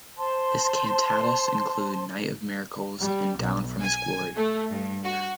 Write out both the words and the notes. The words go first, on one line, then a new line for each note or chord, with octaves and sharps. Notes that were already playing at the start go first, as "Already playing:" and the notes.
His cantatas include "Night of Miracles" and "Down From His Glory".
C5 A5 C6
G3
B1
G#5
A3
G2
F#4